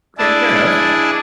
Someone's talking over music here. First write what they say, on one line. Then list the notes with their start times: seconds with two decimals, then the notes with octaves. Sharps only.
Okay. Fair enough.
0.18 D4 E4 G#4 A5